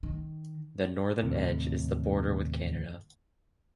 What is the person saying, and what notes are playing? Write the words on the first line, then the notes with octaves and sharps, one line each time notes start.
The northern edge is the border with Canada.
D#3
D#2 A2 C3